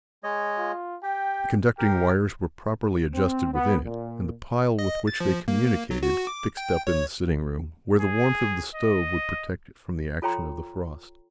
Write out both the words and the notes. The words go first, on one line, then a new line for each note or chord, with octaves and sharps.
The conducting wires were properly adjusted within it, and the pile with which they communicated fixed up in the sitting-room, where the warmth of the stove would protect it from the action of the frost.
G#3 C#5 D#5
F4
G4 G5
G4 A#4 G5
C4
B3
A#2
D#5
A6
F3
A#3
F#3
F#4
D6
G5
C#5
G#4
D#5
F4 A4 C#5 G5 A#5 C6